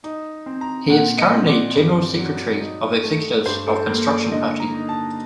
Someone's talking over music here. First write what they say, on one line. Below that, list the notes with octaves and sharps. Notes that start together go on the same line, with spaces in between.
He is currently General Secretary of Executives of Construction Party.
D#4
C4
A#5
A#2 F#5
D#5
C4
D5
G2
F#3
D#4
A3
G2 C5
A4
A#3
D5
D3 D#5
A#5
D#4
A5